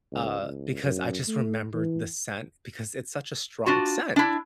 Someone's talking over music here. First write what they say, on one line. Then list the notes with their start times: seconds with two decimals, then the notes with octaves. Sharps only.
uh, because I just remembered the scent because it's such a strong scent.
0.12 C#2
0.42 C#2
0.83 F#2
1.28 A3
1.74 E3
3.66 D4 F4 F#4
4.16 D4 E4